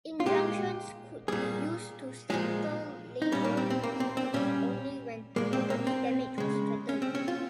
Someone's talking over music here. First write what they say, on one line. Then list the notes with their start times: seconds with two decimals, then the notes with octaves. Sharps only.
Injunctions could be used to settle labor disputes only when property damage was threatened.
0.20 F4
0.26 A#2 G#3 G4
1.28 A#2 G3 G#4
2.30 A#2 F3 G#3 G#4
3.22 D#4
3.32 G3 C#4
3.35 A#2
3.44 A#3
3.57 C4
3.70 C4
3.84 A#3
4.00 C4
4.17 C4
4.34 A#2 G3 C#4
5.36 A#2 G#3 A#3
5.53 C4
5.70 A#3
5.87 C4
6.38 C#3 G#3
6.89 C#4
7.02 C4
7.15 C#4
7.28 F4